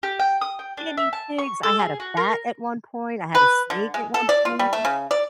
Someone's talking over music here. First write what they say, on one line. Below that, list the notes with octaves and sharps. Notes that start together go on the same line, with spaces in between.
guinea pigs. I had a bat at one point, I had a snake at one point
G4
G5
D#6
G5
D4
E5
A5
C#6
A4
G#4
F#4
A#4
B4
D3
G#3
A4
D5
F4
G3
A3
C#3
D5